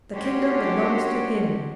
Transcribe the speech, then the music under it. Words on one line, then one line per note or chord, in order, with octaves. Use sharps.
"The kingdom belongs to him."
C#4 D4 F#4 G4 C5 C#5